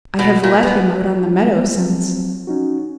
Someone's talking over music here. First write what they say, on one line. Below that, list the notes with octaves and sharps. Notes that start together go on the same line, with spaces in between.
"I have let him out on the meadow since."
B2
A#2
B3
G3 G#3 B3
F3 F#3 C4
C#4 D#4 F#4